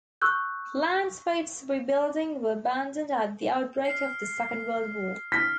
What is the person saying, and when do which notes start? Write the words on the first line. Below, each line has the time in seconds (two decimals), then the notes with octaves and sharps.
Plans for its rebuilding were abandoned at the outbreak of the Second World War.
0.22 C#6 E6 F#6 G6
3.85 F6 C7
5.32 F6 B6